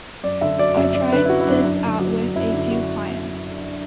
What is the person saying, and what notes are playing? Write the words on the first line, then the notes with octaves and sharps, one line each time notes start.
I tried this out with a few clients.
F#2 D5
D3 E5
F#3 D5
F#2 E5
F#2 D5
D3 B4
E4
F#3 F#4
E4
F#2 D4
F#2
D3
F#3
F#2
F#2 E4
D3
F#3 F#4